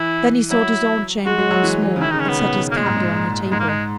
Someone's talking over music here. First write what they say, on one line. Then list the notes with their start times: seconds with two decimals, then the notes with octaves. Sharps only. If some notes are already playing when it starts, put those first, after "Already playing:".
Then he sought his own chamber once more, and set his candle on a table.
Already playing: E3 E4
0.50 F#3 E4
1.26 G#3 F#4
1.38 G#3
1.51 F#3
1.63 E3
1.82 E3
1.96 C#3
2.01 D#3 E4
2.11 D#4
2.13 C#3
2.20 C#4
2.26 C#3 B3
2.39 B2
2.71 A#3
2.76 A#2 G#3
2.86 G#2
2.97 A#2
3.51 G#2 G#3
3.60 A#3
3.68 G#3